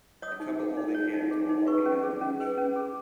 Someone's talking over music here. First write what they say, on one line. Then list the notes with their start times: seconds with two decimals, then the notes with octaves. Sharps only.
A couple holding hands while walking down the beach.
0.22 C#5 D#6
0.40 D#4
0.59 G#4
0.77 D#4
0.95 C#5
1.13 D#4
1.31 G#4
1.49 D#4
1.67 B4 C#6
1.86 C#4
2.03 G#4
2.21 C#4
2.40 B4
2.58 C#4
2.76 G#4